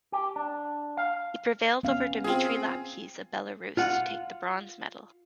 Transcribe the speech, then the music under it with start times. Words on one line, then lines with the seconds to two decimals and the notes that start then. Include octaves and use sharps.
He prevailed over Dmitry Lapkes of Belarus to take the bronze medal.
0.12 G4
0.36 D4
0.97 F5
1.83 B3 C#4 F5
2.24 C4 F4 G#4
3.77 F4 F#5